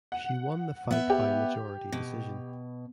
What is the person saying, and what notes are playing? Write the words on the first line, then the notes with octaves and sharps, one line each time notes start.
She won the fight by majority decision.
F#5
B3 E5
G4
B2